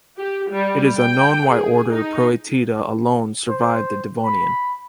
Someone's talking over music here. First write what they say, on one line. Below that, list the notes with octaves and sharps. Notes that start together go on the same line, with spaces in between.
It is unknown why order Proetida alone survived the Devonian.
G4
G3
G5
G#4
D#4
C5
B5